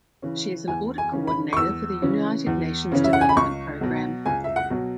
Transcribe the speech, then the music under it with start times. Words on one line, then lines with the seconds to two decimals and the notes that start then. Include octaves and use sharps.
She is an audit coordinator for the United Nations Development Programme.
0.22 C#3 E3 C#4
0.68 E2 G#5
0.98 G#5
1.12 C#3 E3 C#4
1.28 B5
1.53 C#6
1.57 E2 E6
2.02 C#3 E3 C#4
2.47 E2
2.92 C#3 E3 C#4
3.04 E5
3.13 F#5
3.21 G#5
3.29 B5
3.36 C#2 C#6
3.81 B2 F#3
4.26 C#2 G#5
4.44 E5
4.56 F#5
4.70 B2 F#3